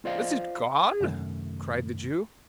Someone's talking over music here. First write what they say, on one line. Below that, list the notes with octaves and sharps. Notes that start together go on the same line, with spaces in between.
'Is it gone?' cried the Jew.
F4 C5 D5 D#5 F5
F#2 C3 D#3 A3